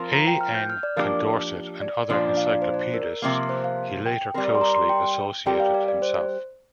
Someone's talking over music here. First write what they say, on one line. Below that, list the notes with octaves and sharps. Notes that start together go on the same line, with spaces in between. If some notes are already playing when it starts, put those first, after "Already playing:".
A. N. Condorcet and other Encyclopedists, he later closely associated himself.
Already playing: F3 C4 F4 A#4
A#5
G5
F6
G6
F6
D5
F3 A#3 D4 G4 A#4
D5
A#2 F3 D4
F5
D5
C5
D5
A#4
C3 F3 A#3
C5
F5
G5
G3 C4 A#4
C6
A#5
C6
G5
G3 C4 G4 A#4 G5
F5
D5
D5
C5